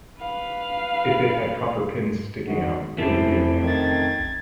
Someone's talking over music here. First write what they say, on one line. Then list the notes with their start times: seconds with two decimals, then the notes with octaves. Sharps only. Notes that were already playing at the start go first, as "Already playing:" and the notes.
If it had copper pins sticking out, it would be a male.
0.20 B4 F5
2.47 D#3 G#3 F#4
2.98 F1 F#2 A3 C4 E4
3.64 D#3 G#6 A6